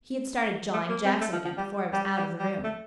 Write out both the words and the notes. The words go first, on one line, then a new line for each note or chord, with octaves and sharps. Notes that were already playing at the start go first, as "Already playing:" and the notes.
He had started jawing Jackson again before I was out of the room.'
A3
A#3
C4
A3
F3
F3
G3
G3
G3
G3
A3